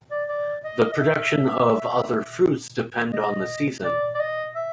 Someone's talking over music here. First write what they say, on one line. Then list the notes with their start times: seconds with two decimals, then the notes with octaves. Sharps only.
The production of other fruits depend on the season.
0.11 D5
0.29 D5
0.64 D#5
0.93 D#5
1.00 E5
3.13 D#5
3.84 D5
4.14 D5
4.20 D#5
4.55 E5